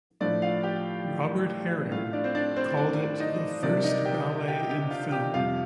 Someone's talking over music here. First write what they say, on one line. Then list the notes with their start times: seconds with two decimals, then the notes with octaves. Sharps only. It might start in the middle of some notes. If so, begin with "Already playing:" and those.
Robert Herring called it "the first ballet in film".
0.20 A2 F3 A3 D4 D5
0.42 F4 F5
0.63 G4 G5
1.92 A2 A3 F4 F5
2.13 D4 D5
2.24 C4 C5
2.35 D4 D5
2.56 C4 C5
2.77 D4 D5
3.20 D#4 D#5
3.63 C3 G3 A#3 D4 D5
3.84 D#4 D#5
4.06 G4 G5
4.48 G4 G5
4.69 G4 G5
4.90 F4 F5
5.12 G4 G5
5.34 F2 C3 G3 F4 F5